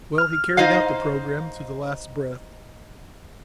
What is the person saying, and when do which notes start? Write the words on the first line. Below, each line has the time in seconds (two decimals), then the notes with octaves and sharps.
Well, he carried out the programme to the last breath.
0.18 F6
0.57 D#4 C5 D#5 F5